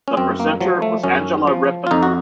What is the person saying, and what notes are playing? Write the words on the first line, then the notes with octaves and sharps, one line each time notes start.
The presenter was Angela Rippon.
C#4
F#2 C4
A#3
F3 F#3
A3
F#2 C#4
F3
F4
F2 D#4
F#4